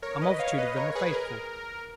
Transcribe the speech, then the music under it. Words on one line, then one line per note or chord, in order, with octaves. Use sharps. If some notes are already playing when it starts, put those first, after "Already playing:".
A multitude of them were faithful.
A#4 C#5
B4 D#5
C#5 F5
B4 D#5
A#4 C#5
G#4 B4
G#4
A#4